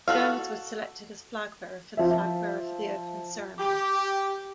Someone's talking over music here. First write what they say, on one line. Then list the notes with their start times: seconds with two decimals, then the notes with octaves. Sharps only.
Gomes was selected as flag bearer for the flag bearer for the opening ceremony.
0.08 F#4 A4 F5
1.97 F3 E5
3.59 G4